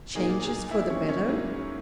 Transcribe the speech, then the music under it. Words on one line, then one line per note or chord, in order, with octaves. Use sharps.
"Changes for the better?"
A#2 A#3 D#4 G#4
G#4
E4
C#4
C#4
G#2 F#3 A#3 E4